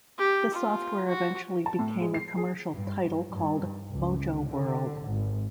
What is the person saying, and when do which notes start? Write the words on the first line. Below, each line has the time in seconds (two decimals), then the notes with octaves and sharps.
The software eventually became a commercial title called MojoWorld.
0.18 G4
0.54 F4
1.08 F#4
1.66 A5
1.79 A2
2.01 G#3
2.14 C7
2.37 G#4
2.74 G2
3.29 G2
3.91 C#2
4.48 D3
5.06 G#1